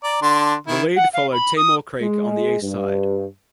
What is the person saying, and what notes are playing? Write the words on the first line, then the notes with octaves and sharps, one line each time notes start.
The lead followed Timor Creek on the east side.
D5 A#5
D3 D4 C6
D#3 E4
F#5
F5
B5
D#6
G#3
G2